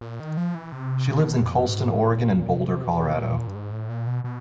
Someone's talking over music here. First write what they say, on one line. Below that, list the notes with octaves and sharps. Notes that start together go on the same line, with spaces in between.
She lives in Colestin, Oregon and Boulder, Colorado.
A#2
D#3
F3
E3
C3
B2
F2
G#2
A2
A#2
C3
B2
A#2
G2
G#2
A2
A#2
B2
B2